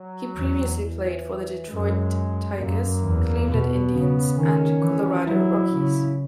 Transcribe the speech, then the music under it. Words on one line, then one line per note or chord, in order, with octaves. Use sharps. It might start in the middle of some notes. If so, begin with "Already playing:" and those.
He previously played for the Detroit Tigers, Cleveland Indians, and Colorado Rockies.
Already playing: F#3
E2
E3
F#2 G#3
F#2 A#3
E2
B2 B3
C#3
D#3 C#4
E3
F#3 E4
C#3